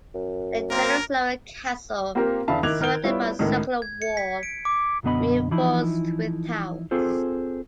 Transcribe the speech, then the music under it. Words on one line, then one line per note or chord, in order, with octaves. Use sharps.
The generous lower castle was surrounded by a circular wall reinforced with towers.
F#2
A#3 C4 A#4
A#3 C4 F4 G4 A#4
E2 D3 E5 F5 A5 B5
D#3 E4 D6 F#6 G#6 F7
D#3 A#4 F6 G6 D7 G7
G3 B3 E4 F4 C#5
C#2 A2 D#3
G#6
C#7
B6
D7
D6
B1 F#2 D3 B3 D#5 B5
E3 F3 D#4 E4 B5
C4 F4 G#4 A4 C5